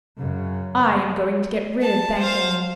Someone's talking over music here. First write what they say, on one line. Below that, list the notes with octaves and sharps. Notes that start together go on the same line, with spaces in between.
'I am going to get rid of Thakane.'
F#2 C#3
A5
C5 F5